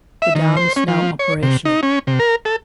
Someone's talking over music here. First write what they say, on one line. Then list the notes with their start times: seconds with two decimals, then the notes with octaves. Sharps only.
The dam is now operational.
0.22 E5
0.35 D#3
0.57 C5
0.76 C#4
0.88 F3
1.19 C#5
1.43 C3
1.65 D#4
1.83 C#4
2.07 C3
2.19 A#4
2.45 A4